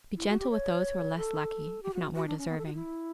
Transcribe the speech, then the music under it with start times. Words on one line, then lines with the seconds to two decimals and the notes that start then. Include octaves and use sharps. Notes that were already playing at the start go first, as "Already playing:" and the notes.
Be gentle with those who are less lucky, if not more deserving.
0.17 E4
0.29 F#4
0.39 G4
0.50 C#5
1.17 A4
1.83 G4
1.94 F#4
2.16 F#4
2.27 D4
2.38 C#4
2.49 B3
2.58 A4
2.66 F#4
2.74 E4